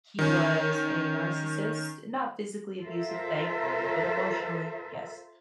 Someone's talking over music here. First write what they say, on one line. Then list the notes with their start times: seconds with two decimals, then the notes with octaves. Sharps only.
he was a narcissist. Not physically abusive, thankfully, but emotionally, yes.
0.19 D#3 C#4
2.84 F4 A4 A#4 C5 E5